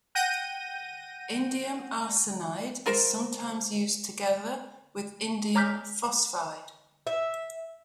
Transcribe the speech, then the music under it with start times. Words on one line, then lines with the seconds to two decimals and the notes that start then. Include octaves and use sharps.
Indium arsenide is sometimes used together with indium phosphide.
0.15 F#5 G5 G6 A#6 D#7
2.86 F4 A#4 C5
5.55 C#5 A#5 D6 F6 G6 B6
7.07 E5